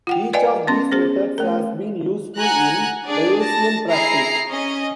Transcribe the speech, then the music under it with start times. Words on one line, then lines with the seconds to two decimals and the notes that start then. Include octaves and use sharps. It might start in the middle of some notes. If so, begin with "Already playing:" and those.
Each of these methods has been useful in Bayesian practice.
0.07 F4 F#5 G5
0.33 B4 D5 D#5 F5 G5 G#5
0.67 B3 C#4 C6
0.92 C#4 G#4 C5
1.38 A3 A#4
2.37 F#5 G#5 A#5 F#6
3.05 D4 G#4 D5
3.40 A5 A#6
3.89 E4 G#4 A#5 C7
4.47 C#4 D#5